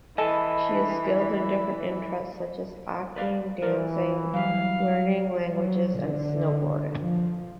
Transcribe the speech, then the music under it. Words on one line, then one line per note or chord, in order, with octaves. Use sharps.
She is skilled in different interests such as acting, dancing, learning languages, and snowboarding.
E3 A4 D#5 G#5 B5
B4 D5 F5
E3 A#4 D5
F#3 G3 F5
F#3
D3
F3